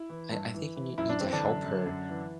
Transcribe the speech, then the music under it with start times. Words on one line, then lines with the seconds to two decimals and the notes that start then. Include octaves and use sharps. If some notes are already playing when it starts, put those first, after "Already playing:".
I I think you nee need to help her,
Already playing: E4
0.10 E3
0.31 G2
0.54 E3
0.76 E3
0.98 F#2 E4
1.09 D4
1.20 E3 C4
1.32 D3 D4
1.43 F#2
1.64 F#2
1.87 F#2
2.09 E3